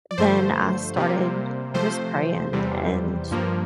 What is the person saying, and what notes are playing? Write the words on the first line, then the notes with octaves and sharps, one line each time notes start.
then I started just praying and
D5
G2 D3 F3 A3 C5
C3 G3 A#3
C3 F3 A3 C5
E2 C3 E3 G3
G2 F3 A#3